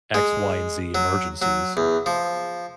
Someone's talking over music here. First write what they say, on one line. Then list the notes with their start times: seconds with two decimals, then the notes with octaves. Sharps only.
x, y, and z emergencies.
0.14 G#3
0.95 F#3
1.42 F#3
1.77 E2
2.06 F3